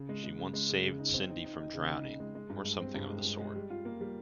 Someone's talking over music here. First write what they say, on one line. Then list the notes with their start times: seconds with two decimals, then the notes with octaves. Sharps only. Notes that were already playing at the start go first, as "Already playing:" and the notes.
She once saved Cindy from drowning, or something of the sort.
Already playing: C#3
0.09 G#3
0.24 G#3
0.38 C#3
0.53 G#3
0.69 C#3
0.83 C#3
0.99 D#4
1.14 C4
1.29 D#4
1.44 D#4
1.59 D#4
1.74 C#3
1.89 D#4
2.05 C#3
2.20 G#3
2.35 G#3
2.50 G2
2.64 G#3
2.80 C4
2.95 G2
3.10 G#3
3.25 G#3
3.40 G#3
3.56 G3
3.70 F4
3.85 A#3
4.01 G3